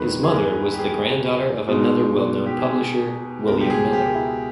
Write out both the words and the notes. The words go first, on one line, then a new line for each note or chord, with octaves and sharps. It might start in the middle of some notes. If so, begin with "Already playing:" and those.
His mother was the granddaughter of another well-known publisher, William Miller.
Already playing: E2 D#3 G3 A#3 D#4 B4
G#4
A#4
G4
G#4
B2 G#3 D#4
G4
G#4
C#2 B2 G#3 A#4
G4
G#4
G4
E4